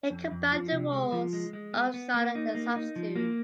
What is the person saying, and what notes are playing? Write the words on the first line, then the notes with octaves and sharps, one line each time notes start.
He combined the roles of starter and substitute.
F2
F2
F3
C3
G#3
F3
G#3
G#3
B3
B3
A#3
D#4
A#3
D#4
F3
A#3